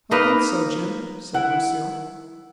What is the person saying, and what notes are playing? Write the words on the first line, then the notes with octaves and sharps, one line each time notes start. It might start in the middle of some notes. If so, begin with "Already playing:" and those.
"I think so, Jim," said Lucille.
A#3 D#4 B4 F5
E4 F#5